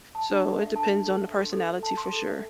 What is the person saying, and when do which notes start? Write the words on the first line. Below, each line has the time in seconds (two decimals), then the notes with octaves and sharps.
So it depends on the personality for sure.
0.15 A5
0.30 D4
0.45 A4
0.61 E5
0.76 A5
0.91 D4
1.06 A4
1.22 E5
1.37 C6
1.52 A4
1.67 E5
1.83 A5
1.97 C6
2.13 A4
2.27 E5